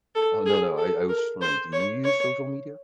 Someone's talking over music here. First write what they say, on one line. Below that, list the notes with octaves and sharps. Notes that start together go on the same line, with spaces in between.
Oh, no, no. I I was just wondering, do you use social media?
A4
G#4
A4
A#4
C5
C#5
C#5